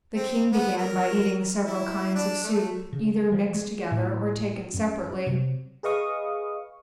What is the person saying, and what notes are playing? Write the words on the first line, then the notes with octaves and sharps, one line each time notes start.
The king began by eating several kinds of soup, either mixed together or taken separately.
C4
B3
A#4
E4
D4
A3
C#3
F3
G#3
A2
F#2
C3
G#4 B4 D#5 F5 C#6 D#6